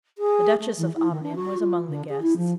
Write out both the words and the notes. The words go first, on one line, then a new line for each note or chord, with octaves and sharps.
The Duchess of Omnium was among the guests.
G#4
A3
E3
E4
D#3
D4
F#4
F4
D3
G#4
E4
F3